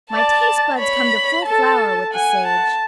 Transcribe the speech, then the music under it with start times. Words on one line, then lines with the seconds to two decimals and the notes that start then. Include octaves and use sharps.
My taste buds come to full flower with the Sage.
0.11 D5 A5
0.78 C#5 B5
1.46 A4 A5
2.12 F#5 G#5
2.46 A5